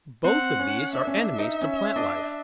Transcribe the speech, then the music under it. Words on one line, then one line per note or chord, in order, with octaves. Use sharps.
Both of these are enemies to plant life.
C4 F#5
C#4
D4 E5
C#4
D4
D#4
C#4
D4